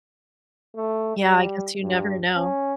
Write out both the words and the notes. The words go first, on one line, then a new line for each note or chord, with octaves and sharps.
Yeah, I guess you never know.
A3
G3
G2
C#4